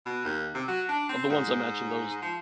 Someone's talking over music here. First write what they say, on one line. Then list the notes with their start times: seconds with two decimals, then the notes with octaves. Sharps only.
of the ones I mentioned, those
0.06 B2
0.25 D#2
0.54 C3
0.68 F#3
0.89 D4
1.09 C4
1.30 G#2
2.22 F3